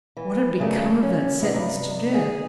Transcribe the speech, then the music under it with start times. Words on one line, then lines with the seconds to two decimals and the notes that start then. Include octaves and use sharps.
What had become of that sentence to death?
0.17 E3
0.58 G2 C#3 A3 A#4
1.03 C#4
1.40 C3 G3 B3 E4 F#4 G4
1.53 G2 C3 D#4
2.12 D#4 G#4